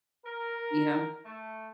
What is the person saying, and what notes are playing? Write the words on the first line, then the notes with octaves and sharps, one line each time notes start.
You know?
A#4
A3